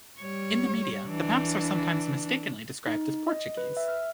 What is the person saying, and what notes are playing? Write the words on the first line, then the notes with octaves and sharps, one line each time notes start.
In the media, the maps are sometimes mistakenly described as Portuguese.
G3 C#5
E3 D4
D#4
D#5
B4
E5
F6